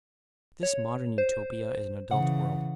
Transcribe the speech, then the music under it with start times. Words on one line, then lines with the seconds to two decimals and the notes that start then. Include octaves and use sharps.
This modern Utopia is an adult world.
0.63 C#5
1.18 C5
2.11 C#3 E3 F#5